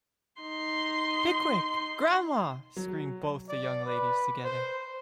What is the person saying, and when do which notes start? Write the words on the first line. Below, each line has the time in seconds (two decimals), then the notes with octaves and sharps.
Pickwick, grandma!’ screamed both the young ladies together.
0.42 D#4 C6
2.77 F#3
3.49 D5
3.85 B4
4.44 C5